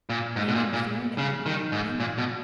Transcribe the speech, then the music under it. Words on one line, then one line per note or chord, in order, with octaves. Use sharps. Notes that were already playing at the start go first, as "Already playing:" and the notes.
It ain't interfering to have your own opinion.
A#2
G#2
B2
A#2
A#2
C#3
D#3
G#2
A#2
B2